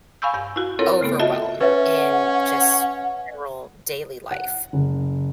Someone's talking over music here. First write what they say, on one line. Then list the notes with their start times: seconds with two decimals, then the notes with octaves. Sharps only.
overwhelm, in, just, general daily life.
0.22 F5 G#5 B5 C#6 E6 G6
0.34 G2 G6
0.56 E4 F#4
0.79 C4 E4 F4 A4 A#4 C#5
1.01 C#3 A3 B3 A4
1.19 F4 F#4 A4 D#5 E5 A5
1.61 C#4 B4 C#5 E5 F#5
4.31 F#5
4.73 F#1